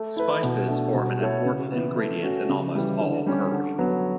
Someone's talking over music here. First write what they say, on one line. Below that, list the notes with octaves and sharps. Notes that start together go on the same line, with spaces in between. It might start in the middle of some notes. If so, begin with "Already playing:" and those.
Spices form an important ingredient in almost all curries.
Already playing: A3
E4 B4
B2
A3 D4
B2
A3 E4 A4 C#5
C#3
E3 B3
A3
C#4 F#4
C#3
E3 G3
D3
G3 C#4 G4
D3
F#3 B3